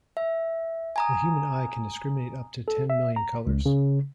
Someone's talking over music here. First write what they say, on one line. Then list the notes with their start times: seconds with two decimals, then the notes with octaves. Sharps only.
The human eye can discriminate up to ten million colors.
0.17 E5
0.96 G#5 A#5 D#6
2.68 A4
2.90 E5
3.16 A#5
3.47 C#2
3.66 C#3